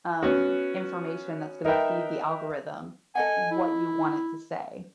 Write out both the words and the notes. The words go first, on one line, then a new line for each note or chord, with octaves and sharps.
um, information that's gonna feed the algorithm what you want it to say?"
B3 C#4 F#4
D#4 A#4 B4 E5 G5
A4 D#5 F#5 G#5
E4